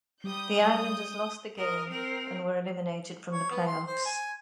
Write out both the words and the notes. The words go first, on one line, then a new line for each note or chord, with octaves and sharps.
The Islanders lost the game and were eliminated from the playoffs.
G3 D#6 G6
A#4 D#5
C4 A#4
C#5
B3
C6
C5
G#5